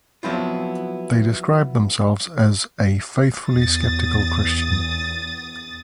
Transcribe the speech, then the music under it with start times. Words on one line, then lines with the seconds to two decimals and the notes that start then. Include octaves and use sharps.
They describe themselves as "a faithfully skeptical Christian".
0.23 F3 F#3 B3 C4 E4 F4
3.48 E2 D#6 A6